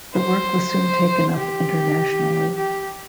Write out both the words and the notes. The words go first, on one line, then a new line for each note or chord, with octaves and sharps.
The work was soon taken up internationally.
C5
G4
G4